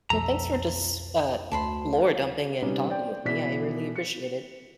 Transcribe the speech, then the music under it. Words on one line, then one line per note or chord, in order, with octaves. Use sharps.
Well, thanks for just, uh, n lore dumping and talking with me, I really appreciate it.
B1 F2 A4 E5 A#5
D2 A5 B5 C6
C3 G3 C#4 D#4 B4
C5 D5 G5
B2 E3 E4 D5 B6
C#7